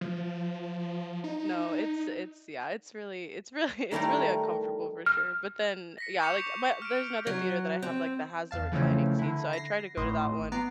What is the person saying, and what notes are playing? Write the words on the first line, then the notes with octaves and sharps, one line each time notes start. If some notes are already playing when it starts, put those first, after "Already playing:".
No, it's it's yeah, it's really it's really it's really uncomfortable for sure, but then Yeah, like, my there's another theater that I have, like that has the reclining seats, so I try to go to that one,
F3
D#4
D#3 G3 A3 E4 A#4
F6
A#6 B6 C#7
C#6 D6 G6 C#7 F7
F6 D7
F#3
C4
E2 F5 A5
C#3 E3 F3 A3 C4 C#4
D3 E4
A#6 C7
G#1 A2 D#5 C6
B3 A#5 D6 C7